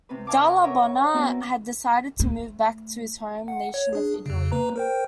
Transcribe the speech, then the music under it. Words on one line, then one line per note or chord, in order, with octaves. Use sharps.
Dalla Bona had decided to move back to his home nation of Italy.
C3 C4 B4
D#5 F5 G#5 A5 D6
A#4 F#5
A#4 B4 C#5 E5
B3 C4 E4 F#4 A#4 B4
A3
F#5
C#5
D4 G#4
F2 C#3
A#3 B4 A#5
A#4 C5 G5